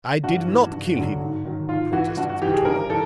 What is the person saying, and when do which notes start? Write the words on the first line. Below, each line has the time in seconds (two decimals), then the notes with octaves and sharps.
"I did not kill him," protested Spatola.
0.23 G2 F#4
0.48 E3
0.72 G2
0.96 D3 F#3
1.21 G#2
1.45 D#3 F#3
1.69 G#2 F4
1.93 E3 F#4
2.17 G2 F#4
2.29 F#4
2.42 E3 G4
2.54 G#4
2.65 G2 A#4
2.90 E3 A4